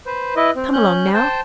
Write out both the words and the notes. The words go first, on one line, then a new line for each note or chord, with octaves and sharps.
Come along, now.
B4 C5
E4 B4 D#5
C4
C#4 F#6 G6
C5 G5 A5